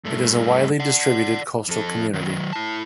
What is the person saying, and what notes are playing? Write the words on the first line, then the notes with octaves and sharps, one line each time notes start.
It is a widely distributed coastal community.
G2 A3
D5 F#5
F2 A4
D#3 F#3
E4 A5